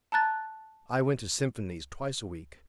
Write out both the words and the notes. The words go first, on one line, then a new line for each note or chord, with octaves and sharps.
I went to symphonies twice a week.
A5 A#5 F#6 A6